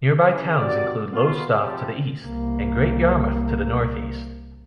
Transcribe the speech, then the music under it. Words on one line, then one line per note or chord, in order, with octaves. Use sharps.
Nearby towns include Lowestoft to the east and Great Yarmouth to the northeast.
C#3 E3
C3 D#3 F#4 D5
B2 B3 F4
C3 F3 G3
C2 A#3